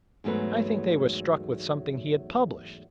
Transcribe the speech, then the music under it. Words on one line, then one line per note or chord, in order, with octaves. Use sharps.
"I think they were struck with something he had published."
E2 G#2 F#3 A3 B4